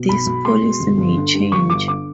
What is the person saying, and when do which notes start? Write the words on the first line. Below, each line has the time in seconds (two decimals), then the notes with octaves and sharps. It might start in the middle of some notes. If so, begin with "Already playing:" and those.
This policy may change.
Already playing: B2
0.09 B1 B5
0.26 B1
0.45 G#3 C6
0.63 B2
0.80 G1
0.98 G1
1.16 D3
1.34 G2
1.52 G1 C#6
1.70 G1 D6
1.88 D3 D6